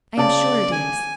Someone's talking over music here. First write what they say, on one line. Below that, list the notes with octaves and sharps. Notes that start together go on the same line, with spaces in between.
"I am sure it is."
C#3 D5 A5
G#5